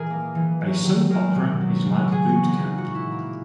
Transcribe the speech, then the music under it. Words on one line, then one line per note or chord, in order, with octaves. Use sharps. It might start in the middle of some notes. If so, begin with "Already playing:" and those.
A soap opera is like boot camp.
Already playing: A#2 E3 G#4 A#4
A#3
E3
F#3
D#3
G#3 A#4
B2
F#3
C#3
G#3 G#4
F#4
E3
D#4
A#3
F#4
A#2
E4
A#3